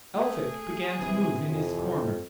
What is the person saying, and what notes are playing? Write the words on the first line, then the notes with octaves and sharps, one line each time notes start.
Elphick began to move in his corner.
A3 G#4
C3 E3 G#5 D#6
F2